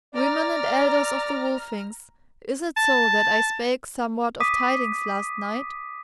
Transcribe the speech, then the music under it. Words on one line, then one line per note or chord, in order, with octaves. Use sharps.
"Women and elders of the Wolfings, is it so that I spake somewhat of tidings last night?"
D5 A#5 F6
A5
D6 D#6 B6 D#7